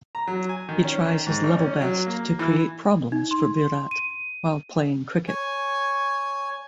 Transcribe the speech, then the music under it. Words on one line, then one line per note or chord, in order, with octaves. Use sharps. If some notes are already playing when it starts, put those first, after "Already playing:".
He tries his level best to create problems for Virat while playing cricket.
A#5
F#3
G#5
D#3
C#4
D#3
G#2
A1
C#4
F#3
A#3
E3
D#4
C6
D#7
C#5 G#5